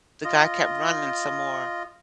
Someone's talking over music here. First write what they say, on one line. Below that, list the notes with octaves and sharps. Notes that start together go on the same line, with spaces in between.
the guy kept running some more.
F4 D#5